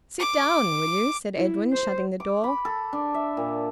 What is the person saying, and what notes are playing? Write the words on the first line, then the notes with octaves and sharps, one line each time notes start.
"Sit down, will you?" said Edwin, shutting the door.
D6
E4
C5
D6
B5
A4
D4
E5
A#2